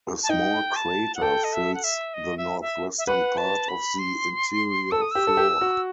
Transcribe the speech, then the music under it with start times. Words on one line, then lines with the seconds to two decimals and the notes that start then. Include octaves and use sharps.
A small crater fills the northwestern part of the interior floor.
0.23 A5
0.29 D#4 G5
0.76 A5
1.15 F#5
1.21 A4 G5
1.44 D#5
1.53 E5
1.74 F#5
1.84 E5
2.14 D#5
2.37 E5
2.61 E5
2.98 E5
3.07 B4 F#5
3.37 A5
3.69 B5
3.99 C6
4.91 A4 E6
5.01 D#6
5.11 G4 E6
5.27 A4
5.37 G4
5.61 F#4